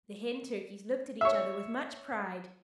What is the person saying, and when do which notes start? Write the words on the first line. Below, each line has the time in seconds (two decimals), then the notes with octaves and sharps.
The Hen Turkeys looked at each other with much pride.
1.21 C#5 E5